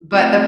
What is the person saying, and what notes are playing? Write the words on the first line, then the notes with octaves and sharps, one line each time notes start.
but the
A3 C4 F4